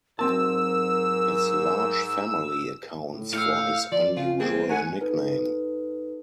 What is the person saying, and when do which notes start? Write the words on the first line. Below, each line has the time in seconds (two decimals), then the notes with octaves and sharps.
His large family accounts for his unusual nickname.
0.19 G#2 F#3 C4 A#4 A5 E6
3.13 A2
3.33 A2 F5 E6 G6 C#7
3.92 F3 D5
4.16 C#3 F4
4.40 G3 G#3 A#3 C4 G#4
4.69 A3 F#5 G#5 A#5
5.01 D#4 A4 B4